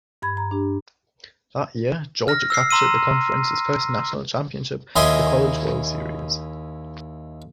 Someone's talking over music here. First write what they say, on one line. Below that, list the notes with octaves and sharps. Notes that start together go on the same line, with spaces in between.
That year, Georgia captured the conference's first national championship at the College World Series.
G2 B5 G#6
A#5
D4 G4
F6 A#6
E6 C7
A#5 C6 E6 D#7
D#2 E4 D#5 G#5 C6